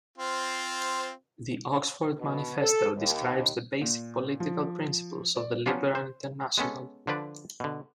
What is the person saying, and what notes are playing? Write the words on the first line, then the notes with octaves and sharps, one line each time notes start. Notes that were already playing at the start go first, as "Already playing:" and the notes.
The Oxford Manifesto describes the basic political principles of the Liberal International.
C4 F4 C5
B2
A4
D#2
A#2
F3
D5
F3 F#3 B3 C#4 D4 F4
C5
G#3 B3 C#4 A4
D3 F3 D4 B4 D5
B2 D3